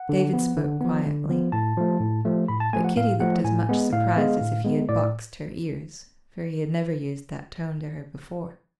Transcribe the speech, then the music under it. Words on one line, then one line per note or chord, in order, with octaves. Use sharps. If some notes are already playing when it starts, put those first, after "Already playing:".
David spoke quietly; but Kitty looked as much surprised as if he had boxed her ears, for he had never used that tone to her before.
Already playing: F#5
D3
F3 B3
D3
F3 B3
D3
F3 B3
A2 A5
F3 A3
A2
F3 A3
A2 B5
A5
F3 A3 G#5
F#5
A2 F5
F3 A3 F#5
A2 G#5
G#3 B3
A2 F5
G#3 B3
A2
G#3 B3
A2 D5